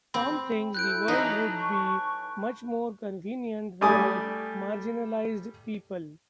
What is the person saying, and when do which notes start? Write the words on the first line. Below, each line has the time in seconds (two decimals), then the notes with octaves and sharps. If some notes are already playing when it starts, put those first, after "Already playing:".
Tom thinks the world would be much more convenient without marginalized people.
0.14 C4 B5
0.75 E4 A4 F#6 G6 D7
1.08 E3 F#3 A3 D#4
1.53 C#6
3.81 G3 A3 D5 G#5 D#6